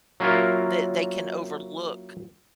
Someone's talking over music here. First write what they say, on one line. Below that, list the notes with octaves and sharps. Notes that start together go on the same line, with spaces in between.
that they can overlook,
F#3 A#3 C#4 E4 F4 A#4